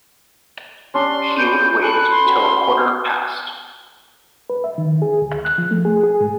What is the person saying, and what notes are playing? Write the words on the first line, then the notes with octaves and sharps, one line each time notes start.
He would wait till a quarter past.
C#4 D4 G4 C6
B4 C#6 G6
A4 G#5 B5 F#6
C6
F#4 B4 G5
B4
E5
D#3
G#4
D2
F#6
F3
A3
G#4
G#4
G#2